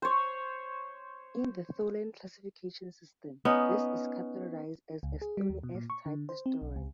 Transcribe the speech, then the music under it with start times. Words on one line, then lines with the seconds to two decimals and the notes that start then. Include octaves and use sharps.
In the Tholen classification system, this is categorized as a stony S-type asteroid.
0.02 C5 C#5
3.45 B3 C#4 D#4
5.03 C#2
5.22 G#4
5.37 G3
5.50 D#2
5.63 B2
5.75 A#2
5.90 C#6
6.06 D3
6.29 C5
6.46 C4
6.62 B1
6.76 C#2